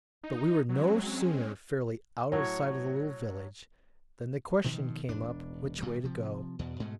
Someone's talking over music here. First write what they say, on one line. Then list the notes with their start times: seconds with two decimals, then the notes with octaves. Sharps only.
But we were no sooner fairly out of sight of the little village than the question came up which way to go.
0.24 D#4
0.69 F#3 G#3 C4 C#4
2.32 A2 F#3 C#5
4.64 G2 B2 D#3 F3
5.09 E1 D4
5.78 A#2 D#3 G3
6.03 C3 F3
6.59 E2 B2
6.80 G#2 B2 G#3 A3